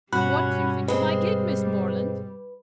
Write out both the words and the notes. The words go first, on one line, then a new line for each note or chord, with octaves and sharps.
What do you think of my gig, Miss Morland?
G2 B2 G3 C#4 F#4 B5 F#6
G3 G#3 C4 B4